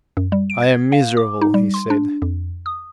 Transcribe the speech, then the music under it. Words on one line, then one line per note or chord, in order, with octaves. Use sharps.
"I am miserable," he said.
F#2
G3
D7
G#6
F5
D6
D#4
G3
C6
D4
F2
D#6